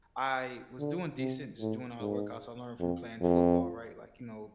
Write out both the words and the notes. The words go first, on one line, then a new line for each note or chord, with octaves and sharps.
I was doing decent, just doing all the workouts I learned from playing football, right? Like, you know,
D3
C3
A2
G#2
F2
F2